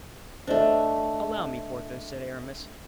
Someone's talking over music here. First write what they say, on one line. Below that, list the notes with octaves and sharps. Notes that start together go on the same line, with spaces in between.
"Allow me, Porthos," said Aramis.
A3 D4 C5 D#5 E5